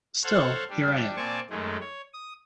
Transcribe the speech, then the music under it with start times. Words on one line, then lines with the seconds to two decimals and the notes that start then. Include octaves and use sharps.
Still, here I am.
0.24 A4 C5 C#5 F5 F#5
0.70 G3 D4
1.16 A#2 C4 D5 G#5 A5 C#6
1.50 F#2 D#3 G#3 A3
1.81 C#5
2.14 D#6